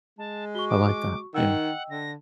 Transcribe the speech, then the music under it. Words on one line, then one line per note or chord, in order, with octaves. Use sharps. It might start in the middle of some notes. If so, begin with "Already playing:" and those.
I like that, yeah.
G#3 A5
F#4 C#6 G7
D6
D#3 D#5 F#5 G5 E6
D3 A#6